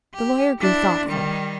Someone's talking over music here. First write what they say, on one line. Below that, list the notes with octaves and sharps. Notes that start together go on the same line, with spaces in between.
The lawyer grew thoughtful.
G4
D4 E4
D#3 G3